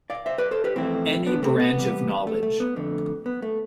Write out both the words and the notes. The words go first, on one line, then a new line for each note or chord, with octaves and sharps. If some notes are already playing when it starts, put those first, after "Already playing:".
Any branch of knowledge.
D5 F5
C5 E5
B4 D5
A4 C5
G4 B4
F2 E3 A3 C4 E4
B3 D4
A3 C4
B3
E2 C3 G3
A3
A3
B3
F2 D3 A3
B3
A3